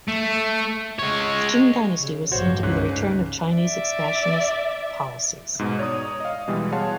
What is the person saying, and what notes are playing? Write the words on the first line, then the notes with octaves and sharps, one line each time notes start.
The Qing dynasty was seen to be the return of Chinese expansionist policies.
A3
G#3 C#5
C#3
A1 G2 F#4 C5 C#5
C#2 G#2 C#4 F#6
D5 E5
G#2 B2
C#5 D5 A#5 D#6
D#5 F5
B2 E3 G3 G#3
G#4 C#5 F5 F#5 A5 C6